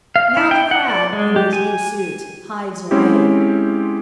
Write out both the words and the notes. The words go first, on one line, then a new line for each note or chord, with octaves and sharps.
Now the Crab, in his new suit, hides away.
F5
E4
G5
F#5
D5
G#3
G4
G#5
G#3 C4 C#4 E4 G4